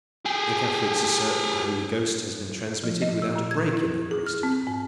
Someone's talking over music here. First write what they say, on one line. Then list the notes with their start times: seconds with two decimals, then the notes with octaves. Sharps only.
The Catholics assert that the Holy Ghost has been transmitted without a break in their priesthood.
0.25 G4 G#4
2.84 F3
3.02 D#5
3.22 E6
3.36 A#2
3.51 G#6
3.73 E4
4.11 G#4
4.26 F6
4.43 C4
4.67 G#2